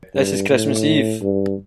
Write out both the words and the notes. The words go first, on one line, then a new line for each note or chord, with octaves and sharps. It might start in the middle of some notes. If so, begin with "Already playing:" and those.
This is Christmas Eve.
G2
A2
G2